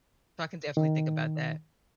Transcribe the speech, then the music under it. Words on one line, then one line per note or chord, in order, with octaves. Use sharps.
So, I can definitely think about that.
D#3